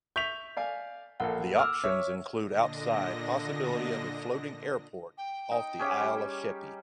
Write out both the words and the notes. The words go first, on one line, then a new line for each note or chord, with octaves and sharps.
The options include outside possibility of a floating airport off the Isle of Sheppey.
E5 C#6 G6 B6 F7
D5 F5 G#5
A#1 A#3 A4 F#5
D6 E6 F6
C#5 E5
A#2 D3 D4 D#5 A#6
G5
D#4
C#4 G4 G#4
G3